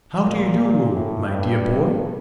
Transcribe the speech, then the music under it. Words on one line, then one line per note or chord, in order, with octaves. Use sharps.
How do you do, my dear boy?
A#2
A2
G2